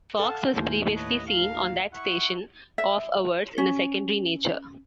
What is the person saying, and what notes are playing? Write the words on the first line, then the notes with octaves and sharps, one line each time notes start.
Fox was previously seen on that station off-hours in a secondary nature.
A4 F5 F#5 A5
D#2 A2 A#4 C5 G#5
B4 C#5 D#5
A#4 F5
E4 F#5 C#6
E5
C#4